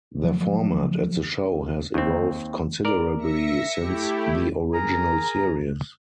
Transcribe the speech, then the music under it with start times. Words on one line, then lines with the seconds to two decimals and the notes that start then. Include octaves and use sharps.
Their format of the show has evolved considerably since the original series.
0.24 F3 F#3 A3
1.94 D#2 C4
2.85 A#4 D5
3.18 E5 A#6 C#7
3.78 A3 E4 G4
4.73 G#4 A#4 A#5